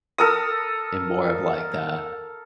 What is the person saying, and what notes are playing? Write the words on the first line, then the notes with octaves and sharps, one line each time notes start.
in more of like the
A4 A#4 D#6